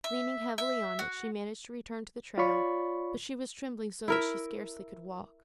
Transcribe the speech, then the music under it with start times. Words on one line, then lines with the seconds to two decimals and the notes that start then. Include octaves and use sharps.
Leaning heavily on it, she managed to return to the trail, but she was trembling so that she scarcely could walk.
0.04 E5
0.58 E5
0.99 F#4
2.38 F4 C#5 D5 B5 C#6
4.08 E4 A#4 E5